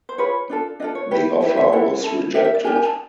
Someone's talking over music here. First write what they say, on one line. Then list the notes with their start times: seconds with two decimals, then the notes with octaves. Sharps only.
The offer was rejected.
0.09 C5
0.18 F4 G#4 B4 C#5
0.50 D4 F4 A4
0.80 D4 F4 A4 D#5
0.95 C#5
1.11 E4 G4 B4
1.42 E4 G4 B4 D#5
1.57 E5
1.73 E4 A4 F#5
2.04 E4 A4
2.34 D4 G4 A#4 E5
2.44 E5
2.55 D5
2.65 D4 G4 A#4 G#5
2.76 G#5
2.85 A5